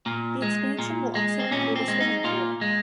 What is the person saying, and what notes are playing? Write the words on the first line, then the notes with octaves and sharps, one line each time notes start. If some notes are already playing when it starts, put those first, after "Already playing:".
The expansion will also include a swimming pool.
A#2
G#3
A#2
G#3
C4
A#2 C#4
C4
G#3
D#4
A#2 F4
G#3